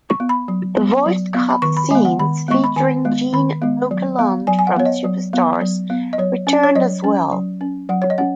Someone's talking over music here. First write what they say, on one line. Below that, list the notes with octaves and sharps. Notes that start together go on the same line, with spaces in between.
The voiced cut scenes featuring Gene Okerlund from "Superstars" returned as well.
C#6
B3
B5
F#3
B3
F#3
B3
B5
D#3 C#6
B5
G#3 B3 G#5
F#5
D#3 B5
G#3 B3 C#6
B5
D#3 G#5
G#3 B3
D#3 B5
G#3 B3
F#3
B3
F#3 G#5
G#5
F#5
B3 C#5
D#5
F#3
B3
F#3
B3
D#5
F#3 C#5
C#4
C#5
F#3 D#5
C#4
F#3
C#4
F#3 F#5
C#5
D#5
C#4 F#5